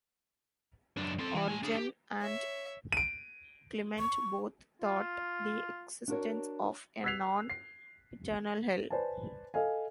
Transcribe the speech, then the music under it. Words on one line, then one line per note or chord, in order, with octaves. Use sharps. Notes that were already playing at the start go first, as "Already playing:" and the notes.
Origen and Clement both taught the existence of a non-eternal Hell.
F#2 D4
C4 A4
E3
A3 G#5
D4 G#4
G4
C#5 E5
D7 D#7
C#6
F4
D4 F#4 A#4 C#5
E6 F#6 G#6 B6 C7 F7
C7
B4 C5 D5 G#5 A5
A4 D#5 F5 G#5